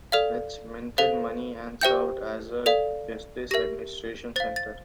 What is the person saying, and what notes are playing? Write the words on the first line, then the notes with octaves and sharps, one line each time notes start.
It minted money and served as a justice administration centre.
A4 D5 F5 F6
A4 C5 F5
G4 C5 E5 G5 G6
A4 D5 F5
G4 A#4 E5 A#6
C5 F5 A6
A6